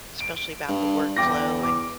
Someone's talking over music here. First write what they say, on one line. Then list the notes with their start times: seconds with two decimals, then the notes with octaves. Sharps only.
especially about the work flow and
0.20 D7
0.68 G2
1.17 E2 G5 D6 A#6
1.63 D6